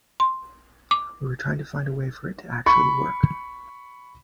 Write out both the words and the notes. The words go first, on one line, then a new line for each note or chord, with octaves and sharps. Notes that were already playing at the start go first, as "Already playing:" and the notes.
We were trying to find a way for it to actually work...
C6
D6
B5 C#6